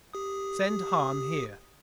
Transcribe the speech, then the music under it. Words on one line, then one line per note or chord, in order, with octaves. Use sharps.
Send Hahn here.
G4 D#6